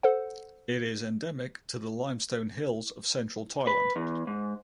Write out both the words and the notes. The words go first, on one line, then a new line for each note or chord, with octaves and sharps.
It is endemic to the limestone hills of central Thailand.
A4 C5 F#5
B4
E2
G#2